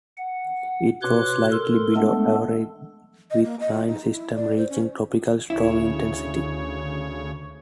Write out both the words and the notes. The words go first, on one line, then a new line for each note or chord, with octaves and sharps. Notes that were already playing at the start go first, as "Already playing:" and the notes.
It was slightly below average, with nine systems reaching tropical storm intensity.
F#5
B2 B4 C#5 C6 D6 F#6
A4 A#4 C6
G#3 A3 B3 D4 A4
D#5
A#3
D#5
F4
D#4
E4
D5
C5
C#4
D2 C#3 E4 C#5